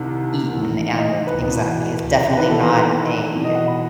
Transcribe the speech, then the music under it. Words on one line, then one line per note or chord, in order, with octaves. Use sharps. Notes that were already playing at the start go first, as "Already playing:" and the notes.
eaten and exactly, it's definitely not a, uh,
Already playing: C2 C3 D#3
E2 D#3
D#5
C5
B4
E2 B2 B4
E2 D#3 B4
A4
B4
B4
E2 B2
D#5
F#5
B5